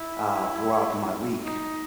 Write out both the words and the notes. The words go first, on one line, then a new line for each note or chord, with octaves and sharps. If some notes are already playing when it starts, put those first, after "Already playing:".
uh, throughout my week.
Already playing: E4
D#4